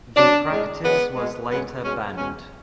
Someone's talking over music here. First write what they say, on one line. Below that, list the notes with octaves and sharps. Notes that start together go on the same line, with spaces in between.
The practice was later banned.
B2 F#3 D4
A2 G#3
F#2 C#3 E3 G#3 B3
B2 G#3
F#2 C#3 G#3 B3
B2 G#3 C#4
B2 G#3 C#4